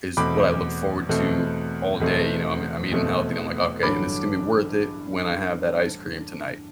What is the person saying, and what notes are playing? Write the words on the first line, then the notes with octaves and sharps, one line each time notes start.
is what I look forward to all day, you know, I'm I'm eating healthy and I'm, like, “Okay, this is gonna be worth it when I have that ice cream tonight,”
E2 B2 A3 C4 B5 D6
E2 B2 A3 C4
E2 B2 A3 C4
E2 B2 A3 C4
A1 G2 D3 F#3 B5 D6